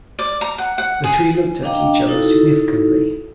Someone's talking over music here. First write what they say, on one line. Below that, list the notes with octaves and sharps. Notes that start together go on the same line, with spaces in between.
The three looked at each other significantly.
D5
A#5
F#5
F#5
G#4
D4 D#5 F5 G5 A#5 D6
D#4 E4 F#4 A4